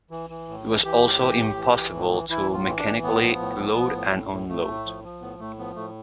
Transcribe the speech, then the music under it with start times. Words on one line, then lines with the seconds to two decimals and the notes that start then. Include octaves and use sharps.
It was also impossible to mechanically load and unload.
0.11 E3
0.30 E3
0.48 A2
0.66 E3
0.84 E3 G4
1.02 A2
1.20 E3
1.39 A2
1.57 E3
1.76 E3
1.94 A2
2.12 E3
2.29 E3 E4
2.48 A2
2.54 F4
2.66 E3
2.78 D4
2.85 E3
3.02 A2 B3
3.21 F3
3.39 A2
3.57 F3
3.76 F3
3.94 A2
4.12 A2
4.30 A2
4.49 A2 A3
4.67 A2
4.85 F3
5.04 F3
5.21 A2 B3
5.39 A2 A3
5.58 F3 B3
5.76 A2 A3